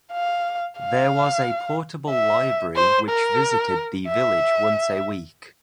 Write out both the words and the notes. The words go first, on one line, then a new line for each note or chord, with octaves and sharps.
There was a portable library which visited the village once a week.
F5
F5
E5
C5
A#4
E5